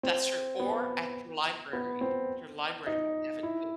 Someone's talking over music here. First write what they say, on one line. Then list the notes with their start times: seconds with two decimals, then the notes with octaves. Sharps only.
That's true. Or at your library; your library might have it too.
0.03 C4
0.60 B3
1.73 B3
2.01 C4
2.87 D#4
3.43 E4